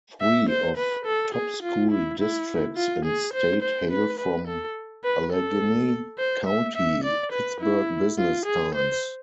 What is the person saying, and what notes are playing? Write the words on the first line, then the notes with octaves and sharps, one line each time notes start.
Three of top school districts in state hail from Allegheny County, "Pittsburgh Business Times".
E5
C5
B4
A4
G#4
F4
E4
E4
F4
G#4
C5
C5
B4
B4
A4
B4
A4
C5
E5
E5
D5
B4
E4
F4
G#4
C5